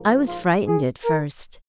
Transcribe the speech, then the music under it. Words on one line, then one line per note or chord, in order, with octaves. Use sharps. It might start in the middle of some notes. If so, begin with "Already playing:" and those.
I was frightened at first.
Already playing: A#1 G#2 F3 A#3
F4
G#4
A#4